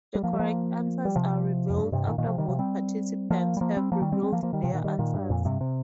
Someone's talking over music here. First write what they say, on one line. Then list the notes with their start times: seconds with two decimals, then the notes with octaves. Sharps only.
The correct answers are revealed after both participants have revealed their answers.
0.15 G3
0.24 F3 A#3
0.33 G3
0.39 F3 A#3
1.05 G3
1.16 C3 F3
1.70 F2
1.77 G2
1.92 G2 C3
2.07 A#2 D#3
2.18 A#2 D#3
2.28 C3 F3
2.38 D#3 G3
2.48 C3 F3
2.59 G3 C4
3.30 F3 A#3
3.57 G3
3.61 F3 A#3
3.77 G3 C4
3.92 F3 A#3
4.02 D#3 G3
4.12 G3 C4
4.22 G3 C4
4.32 F3 A#3
4.43 F3 A#3
4.53 D#3 G3
4.64 C3 F3
4.73 A#2 D#3
4.84 D#3 G3
4.99 A#2 D#3
5.14 G2
5.30 F2 A#2
5.45 G2 C3
5.61 C3